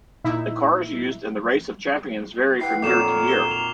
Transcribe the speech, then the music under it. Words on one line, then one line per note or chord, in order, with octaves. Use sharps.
The cars used in The Race Of Champions vary from year to year.
A#2 D#4 E4 E5
E4 B4 F#5 G5 C7
F2 A#2 D#3 F#3 A4 A#4 D6 E7
G7
F7